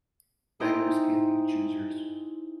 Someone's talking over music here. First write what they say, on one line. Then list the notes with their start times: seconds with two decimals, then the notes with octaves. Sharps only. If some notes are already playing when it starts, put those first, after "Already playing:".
Beggars can't be choosers.
0.60 D#4 E4 G#4 C5 G5 A#5